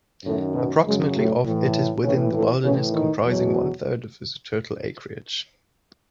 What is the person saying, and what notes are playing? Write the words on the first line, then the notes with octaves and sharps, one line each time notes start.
Approximately of it is within the wilderness, comprising one-third of its total acreage.
F#2 A2 D#3 F#3 A3
B2 B3
F#2 C#3 F#3 G#3
A2 A3
A2 E3
A2 C#3 E3 C#4
A2 A3
A2 C#3 E3 C#4
D#3 D#4
E2 B2 F#3